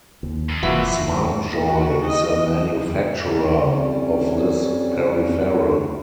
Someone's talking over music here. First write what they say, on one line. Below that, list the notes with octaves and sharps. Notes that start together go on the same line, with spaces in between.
SmartJoy is the manufacturer of this peripheral.
D#2
F2
F1 E3 F3 A#3 F#4 E5
F#4
D#5
F2 G3 C#4